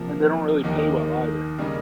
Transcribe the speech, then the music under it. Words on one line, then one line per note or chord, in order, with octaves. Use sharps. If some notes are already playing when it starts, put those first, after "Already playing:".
And they don't really pay well either.
Already playing: C3 F3 A#3
D#2 D#3 A#3 D#4 G4
C#3 G3 A#3 D#4